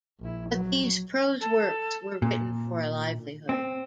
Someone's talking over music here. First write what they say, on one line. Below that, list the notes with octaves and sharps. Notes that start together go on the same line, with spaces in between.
But these prose works were written for a livelihood.
A#1 E4
F#3
A4
A#2
C4